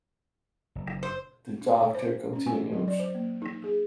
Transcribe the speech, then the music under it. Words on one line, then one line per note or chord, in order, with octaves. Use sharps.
The Dr. continues.
F#1
C5
D4
C#5
C5
C#4
G#5
F#3
D5
C5
A#3
D#4
G#4